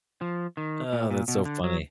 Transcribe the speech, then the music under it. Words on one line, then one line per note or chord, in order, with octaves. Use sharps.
Uh, that's so funny.
F3
D#3
A#2
A#2
B2
D3
F#3